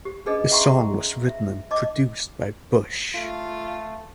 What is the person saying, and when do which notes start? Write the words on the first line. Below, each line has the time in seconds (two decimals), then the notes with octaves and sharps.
The song was written and produced by Bush.
0.05 G4
0.26 C#4 D4 G#4 A4 B4 D#5
0.51 E5 F#5 G5 A#5 C6 C#6
1.27 E5
1.71 D#5 A5 D6
3.14 A3 F4